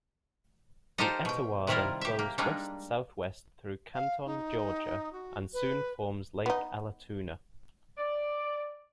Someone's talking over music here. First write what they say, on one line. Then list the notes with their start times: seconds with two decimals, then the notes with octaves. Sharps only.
The Etowah then flows west-southwest through Canton, Georgia, and soon forms Lake Allatoona.
0.98 D#4 F4 G4 A4 A#4 C5
1.25 B2 G5
1.67 C3 D#3 G3 E4 F4 A#4
2.01 G4 E5
2.19 A#3
2.38 G3 G#3 A#3 D4 D#4
3.94 F5
4.26 D#4
5.13 F#4
5.54 B4
6.46 B3 D#4
7.98 D5